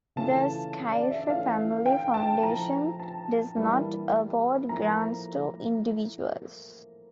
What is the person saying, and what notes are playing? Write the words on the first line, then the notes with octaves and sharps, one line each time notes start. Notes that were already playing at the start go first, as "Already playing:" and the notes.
The Scaife Family Foundation does not award grants to individuals.
C#3 E3 A3 C#4 F4 A5
D5
E5
E3 A3 C#4 F4 F5
G5
A5
F3 A3 E4 A#5
A5
E3 G3 A#3 E4
A2 F3 A#3 E4 A#5